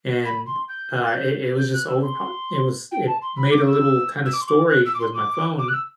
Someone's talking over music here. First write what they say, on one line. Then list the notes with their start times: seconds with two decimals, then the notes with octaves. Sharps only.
and, uh, it it was just overpop it was it made a little kind of story with my phone,
0.24 B5
0.46 C6
0.68 G6
1.04 A6
1.13 G6
1.58 G6
1.73 F#6
1.87 E6
2.02 C6
2.91 G5
3.06 A5
3.21 C6
3.36 B5
3.50 D6
3.66 E6
4.25 E6
4.32 D6
4.41 C6
4.47 D6
4.69 F#6
4.85 E6
4.94 D6
4.99 C6
5.14 D6
5.58 D6
5.68 F#6
5.73 E6